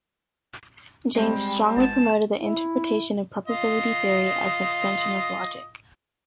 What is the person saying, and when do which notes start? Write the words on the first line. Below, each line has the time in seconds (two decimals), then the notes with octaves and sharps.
Jaynes strongly promoted the interpretation of probability theory as an extension of logic.
1.15 G3 G#3 C4
1.77 G#1 B3 A5
2.39 E4
3.47 F4 D#5